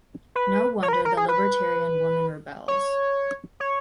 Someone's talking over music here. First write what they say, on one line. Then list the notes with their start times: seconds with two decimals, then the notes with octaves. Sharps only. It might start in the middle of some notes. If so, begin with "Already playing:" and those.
No wonder the libertarian woman rebels.
0.35 B4
0.83 C#5
0.88 A#4
0.93 B4
1.05 A#4
1.17 G#4
1.28 B4
2.68 C#5
3.60 C#5